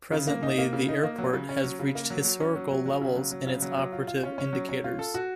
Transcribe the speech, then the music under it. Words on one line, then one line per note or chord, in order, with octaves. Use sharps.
Presently, the airport has reached historical levels in its operative indicators.
C#3
A#3
D#4
A#3
C#3
D#4
A#3
F#3
C#3
C#4
F#3
C#3
A#3
F#3
F#3
C#4
F#3
F#3
F#3
C#3
F#3
F#3
C#3
F#3
F#3
F4
F4
C#4
C#4
F#3
C#4
F4
A4
F#4